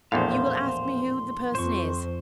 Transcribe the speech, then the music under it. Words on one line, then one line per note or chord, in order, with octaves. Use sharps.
You will ask me who the person is.
A#1 E2 A2 C5 F5 C6
F2 C5 C#6